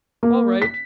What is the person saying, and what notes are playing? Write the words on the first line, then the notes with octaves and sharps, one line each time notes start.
All right.
A#3
B6